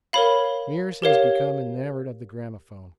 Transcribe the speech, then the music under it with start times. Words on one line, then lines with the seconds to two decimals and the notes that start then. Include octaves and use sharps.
Meares has become enamoured of the gramophone.
0.13 A#4 C#5 F5 B5
1.02 G4 A#4 C#5 F5